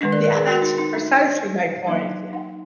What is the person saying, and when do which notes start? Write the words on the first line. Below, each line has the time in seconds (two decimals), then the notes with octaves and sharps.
Yeah. That's precisely my point. Yeah
0.01 D#3 G#3 D4
0.12 A#4 D5
0.24 A#4 D5
0.35 G#4 B4
0.47 F#4 A#4
0.62 D#4
0.78 D#4
0.94 D4
1.87 F#3 A#3 D4 D#4
2.33 D#4